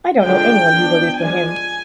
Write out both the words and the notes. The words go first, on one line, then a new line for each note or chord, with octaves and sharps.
I don't know anyone who voted for him.
D3 F3 G#3 D4 G5
F3 B3 D4
F3 G#3 D4 G#5